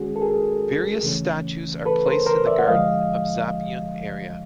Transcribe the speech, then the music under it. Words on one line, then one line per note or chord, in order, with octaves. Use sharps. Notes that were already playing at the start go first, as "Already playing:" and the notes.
Various statues are placed in the gardens of Zappeion area.
Already playing: D#3 G#3 C#4 F#4 G#4
A4
G#4 A#4
C#3 E3 A3 C#4
A4 B4
A#4 C5
A#4 C5
D5 E5
F#5
D3 F3 G#3 D#5 F5